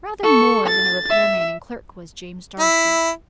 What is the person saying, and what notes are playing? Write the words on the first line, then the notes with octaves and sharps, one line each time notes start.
Rather more than a repair man and clerk was James Darcy.
A4 C#6
A6
E5
E4